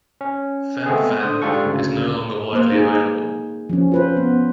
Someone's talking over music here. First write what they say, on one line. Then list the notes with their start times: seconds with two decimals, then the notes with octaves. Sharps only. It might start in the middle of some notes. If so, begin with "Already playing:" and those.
Fen-phen is no longer widely available.
0.21 C#4
0.86 G#3 A3 B3 C4 G#4
1.21 D3 C5 D#6
1.42 G#2 D4 F4 G4 A4 C#6
1.65 D2 C#3
2.53 A#3 C5
2.72 D#4 G#4
3.69 F3 C#4
3.92 F4 B4 C5
4.17 B3